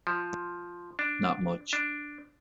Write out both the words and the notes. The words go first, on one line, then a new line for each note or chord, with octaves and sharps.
Not much.
F3
D4
D4